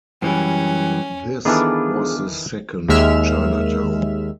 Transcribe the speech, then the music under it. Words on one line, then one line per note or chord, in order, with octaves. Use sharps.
This was the second Chinatown.
F#2 E3 G3 C#4
D#3 E3 B3 D4 F4 G#4 A4
D#2 D#3 G#3 E5 F6 E7